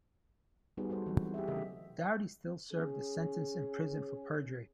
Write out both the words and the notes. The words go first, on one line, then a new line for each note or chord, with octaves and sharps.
Dowdy still served a sentence in prison for perjury.
G3 B3 D#4 F#4 G#4
G3 F#4 A4 C5
E3 F#3 C4
G3
G4 G#4 E5
C#3 E3 A3 G4 D#5 E5
C#4 G#4